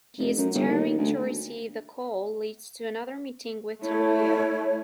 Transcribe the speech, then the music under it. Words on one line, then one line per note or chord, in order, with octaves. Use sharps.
His tarrying to receive the call leads to another meeting with Tomoyo.
F1
F#2
G1
D#2
D2
A3 E4 C#5